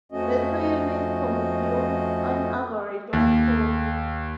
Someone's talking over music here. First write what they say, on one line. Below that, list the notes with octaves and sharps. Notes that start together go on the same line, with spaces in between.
The two units consume on average of coal.
F2 F3 A3 C#4 F#4 D#5
D#2